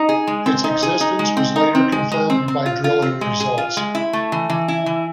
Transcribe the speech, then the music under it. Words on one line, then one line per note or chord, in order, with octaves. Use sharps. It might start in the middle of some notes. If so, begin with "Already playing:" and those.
Its existence was later confirmed by drilling results.
Already playing: D#4
G#4
G#3
C4
D#4
G#4
D#4
G#3
C4
D#4
C4
G#3
G#3
C4
C4
F4
F4
C4
G#3
G#4
F4
G#3
E4
A3
E3
E3
E4
E3